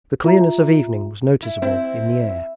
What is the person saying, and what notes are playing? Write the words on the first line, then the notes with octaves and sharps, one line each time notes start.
The clearness of evening was noticeable in the air.
F4 E5 A#5
E4
C4 E4